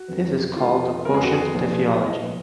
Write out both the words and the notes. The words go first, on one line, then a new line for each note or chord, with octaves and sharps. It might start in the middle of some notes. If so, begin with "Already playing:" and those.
This is called the quotient diffeology.
Already playing: F#4
F2 D3 F#3 B3
F2 D3 G#3 B3 F4
F2 D3 G#3 B3 A#4
G#4
F#4
G#4
B1 A#2 F3 B3
B1 A#2 F3 B3 D#5
B4